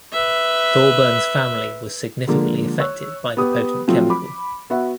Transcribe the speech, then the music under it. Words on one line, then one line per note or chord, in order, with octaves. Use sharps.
Thorburn's family was significantly affected by the potent chemical.
B4 E5
D3 F3 G#3 A#3
C#5 E6 F#6
B3 G4 D#6
F3 F#3 A3 C4 F4
B5 D6
B3 F#4 B4 E5 F#5